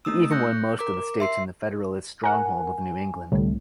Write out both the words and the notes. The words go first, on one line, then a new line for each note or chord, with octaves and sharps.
He even won most of the states in the Federalist stronghold of New England.
A3 D#4 D#6 E6
F#6 G6 A#6 C#7
A#4 D6
A#4
E5 C6 C7
A#4 F#5 G#5
C2 A2 D3 G3